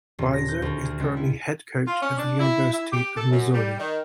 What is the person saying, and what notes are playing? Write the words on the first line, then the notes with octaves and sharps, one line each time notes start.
Bieser is currently Head Coach at the University of Missouri.
D#1
A#6
G6
D2
G#4
C#2
E4
F4
C#4
D4
E4
E4
G4
A4
F#2
G3
D#3